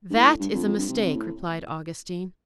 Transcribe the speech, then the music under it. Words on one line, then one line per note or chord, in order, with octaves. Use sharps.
"That is a mistake," replied Augustine.
G2
A2
G2
F2
F2
G2
C3
C3
A2